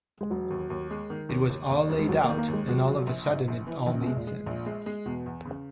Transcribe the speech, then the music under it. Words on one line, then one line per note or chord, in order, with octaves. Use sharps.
It was all laid out and all of a sudden it all made sense.
G#3
E1 F#3
D#2
D#2
G#3
D#3
D#2
D#2
D#2
E1
G#3
D#2 F#3
A#3
D#3
A#3
D#2
G#3
F#3 G#3
A#1
A#1
G#2
A#1
E3
A#1 D#3
C#3
B2
G#3
A#2
G#3
A#1 A#2
G#3
G#3
E2 B2
E2
C#3